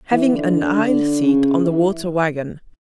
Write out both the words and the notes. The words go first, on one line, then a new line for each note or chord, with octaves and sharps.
Having an aisle seat on the water wagon.
E3
D3
D3
D3
C#3
E3